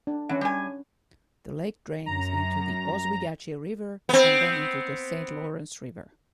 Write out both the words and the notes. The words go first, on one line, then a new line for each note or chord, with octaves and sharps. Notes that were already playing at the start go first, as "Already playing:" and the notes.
The lake drains into the Oswegatchie River and then into the Saint Lawrence River.
D4
E3 C#4 F#5
G3 G#5
F#2 A#5
B3 C4